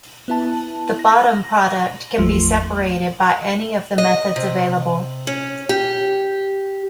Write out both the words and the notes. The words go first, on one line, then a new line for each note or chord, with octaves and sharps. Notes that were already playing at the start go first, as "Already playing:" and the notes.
The bottom product can be separated by any of the methods available.
B3 E4 A5
A#6
G#1 E2 F3 A3 C6
D#5
C3
C#4
G4